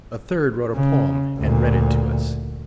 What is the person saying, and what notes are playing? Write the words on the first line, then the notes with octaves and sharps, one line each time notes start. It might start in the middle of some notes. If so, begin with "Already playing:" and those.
A third wrote a poem and read it to us.
C#3
D2 A#2